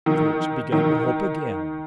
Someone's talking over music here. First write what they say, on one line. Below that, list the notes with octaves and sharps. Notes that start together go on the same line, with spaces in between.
Fix began to hope again.
D#3
D#3